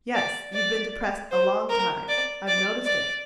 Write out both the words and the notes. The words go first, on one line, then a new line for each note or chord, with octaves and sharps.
"Yes, you've been depressed a long time, I've noticed it."
D5
D5
C5
A#4
D5
D5
D5